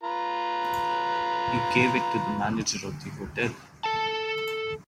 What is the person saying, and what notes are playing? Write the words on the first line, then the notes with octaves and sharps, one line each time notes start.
He gave it to the manager of the hotel.
F4 B4 A#5
A4 A5